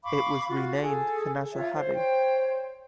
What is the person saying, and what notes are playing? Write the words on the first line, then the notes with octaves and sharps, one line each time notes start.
It was renamed Canajoharie.
F5 B5 C#6 D6
F4 F#4
G#4 A4
F4 C#5 E5
C5
C5 C#5 G5